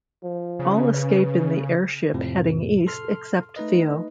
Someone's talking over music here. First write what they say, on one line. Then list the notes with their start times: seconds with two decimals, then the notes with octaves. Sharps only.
All escape in an airship heading east except Theo.
0.23 F3
0.59 C#3
0.91 B4
2.14 F2 A2 C3 F3
2.87 A4 C6 F6
3.56 A3 D#4 B4 D#5